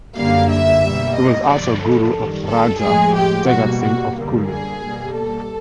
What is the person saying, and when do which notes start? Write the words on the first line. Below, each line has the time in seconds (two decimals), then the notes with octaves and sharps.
He was also guru of Raja Jagat Singh of Kullu.
0.17 F#2 D3 G3 A#3 F5
0.50 E5
0.83 B2 G3 A#3
1.17 D#5
1.49 G2 D3 F3 D5
1.82 A4
2.16 F#2 D#3 G3
2.48 A4
2.81 A2 F3 G#3 G#4
3.15 G4
3.47 B2 G3 A#3 F#4
3.81 F#4
4.14 F#2 D3 G3 A#3
4.47 G#4
4.81 B2 G3 A#3
5.14 A4